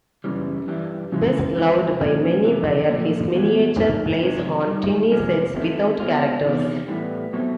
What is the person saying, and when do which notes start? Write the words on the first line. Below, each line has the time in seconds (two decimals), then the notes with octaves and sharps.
Best loved by many were his miniature plays on tiny sets without characters.
0.24 F#2 C#3 E3 G3
0.68 G2 E3 G3
1.12 C#3 E3 G#3
1.56 E3 G#3 C4 E4
2.01 A#2 F3 G#3 C#4
2.45 F2 C3 E3
2.90 A#2 F3 A3
3.34 E2 B2 F#3
3.78 G#2 F3 A#3 D#4
4.23 F2 C3 D#3 G#3
4.67 G2 D#3 G3
5.11 C3 F3 G#3
5.55 D#3 F#3 A3 C4 D#4
6.00 B2 G#3 C4 F4
6.44 E2 C3 D#3
6.88 A2 E3 G3 B3
7.33 B2 F#3 A3 C4